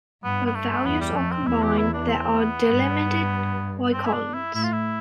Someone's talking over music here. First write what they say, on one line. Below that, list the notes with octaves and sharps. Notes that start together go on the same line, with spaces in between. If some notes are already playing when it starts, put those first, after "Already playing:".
Where values are combined, they are delimited by colons.
G2 B3
B3
A3
E2 B3
G3
F2 A3
C4
E2 E4
G4
E4
D4
C4
B3
G2
C4
E4
D4
E4
A2 E4
F4
E4